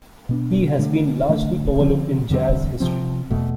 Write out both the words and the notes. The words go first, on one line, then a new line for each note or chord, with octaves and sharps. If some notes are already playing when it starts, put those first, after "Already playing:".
He has been largely overlooked in jazz history.
B2 B3 D4
D3 A3 D4
D3 A3 D4
D3 F3 C4
E2 D3 G3 C4
C3 F3 C4
E2 B2 A3